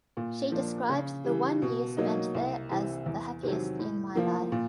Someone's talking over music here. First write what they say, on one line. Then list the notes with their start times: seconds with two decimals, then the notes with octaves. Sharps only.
She described the one year spent there as the "happiest in my life".
0.17 A#2
0.52 F3 A#3 D4
0.89 C#3
1.24 E3 G3
1.62 B2
1.97 F#3 A#3 D#4
2.35 C2
2.71 C3 E3
3.06 E2
3.43 C3 D#3 F#3
3.79 A2
4.15 F3 A#3
4.52 A#2